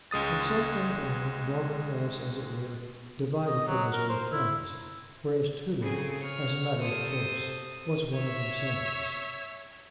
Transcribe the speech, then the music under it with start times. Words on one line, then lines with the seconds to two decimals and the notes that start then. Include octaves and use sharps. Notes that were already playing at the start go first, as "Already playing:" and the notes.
And so for a while Norman was, as it were, divided from his old friends, whereas Tudor, as a matter of course, was one of themselves.
0.11 C#2 G#3 D#6 A6
3.47 D#5
3.67 F#3
3.93 A#4
4.09 C5
4.32 E4
5.80 C#3 C4 G#4 A4 G#5
6.19 C#5 F6
6.80 C3 A4 C5 D#6
8.15 C#5 E5